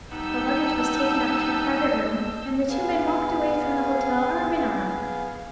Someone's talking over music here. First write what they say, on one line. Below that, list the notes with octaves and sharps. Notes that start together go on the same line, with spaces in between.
The luggage was taken up to a private room, and the two men walked away from the hotel arm-in-arm.
G3 B3 D#4 A5 E6 G6
B3 G#4 F5